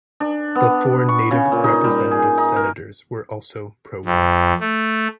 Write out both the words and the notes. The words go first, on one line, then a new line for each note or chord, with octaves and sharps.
The four Native Representative Senators were also pro-war.
D4
B3
C#6
C#3
A#2
D#4
G3
G#4
D#4
A#4
F2
A3